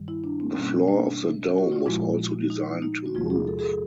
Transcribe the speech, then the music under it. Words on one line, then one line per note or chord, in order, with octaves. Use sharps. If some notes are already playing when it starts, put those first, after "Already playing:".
The floor of the dome was also designed to move.
Already playing: G2 D#3 G3
E4
D4
C4
B2 G3 A#3 C#4
D4
F#4
F4
A#2 F3 G#3 E4
D#4
D#4
F#4
E2 C3 F3 G#3 F4
G#4
A4
G#4
A4